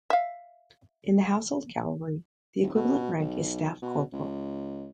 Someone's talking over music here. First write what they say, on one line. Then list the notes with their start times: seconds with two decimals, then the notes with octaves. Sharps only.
In the Household Cavalry the equivalent rank is staff corporal.
0.10 E5 F5
2.62 D#1
2.75 B2
3.19 B1
3.82 B2
4.13 C#2